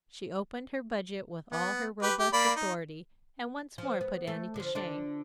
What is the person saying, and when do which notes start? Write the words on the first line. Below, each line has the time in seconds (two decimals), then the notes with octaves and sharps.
She opened her budget with all her robust authority, and once more put Annie to shame.
1.53 B3
2.03 G4 B4
2.19 G4
2.33 A#3 D5 B5
2.56 D#4
3.78 F3
4.01 B3
4.27 A3
4.56 D3 F3
4.75 D3 D4 F4